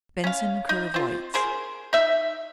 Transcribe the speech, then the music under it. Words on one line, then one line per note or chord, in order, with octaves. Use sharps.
Benson curve lights!
C#4 F5
D#4
C4 F4
G#4 A#4 C5
D#4 E5